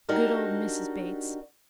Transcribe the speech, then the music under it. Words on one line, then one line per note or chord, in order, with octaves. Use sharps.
Good old Mrs. Bates.
D4 D#4 F#4 G4 A#4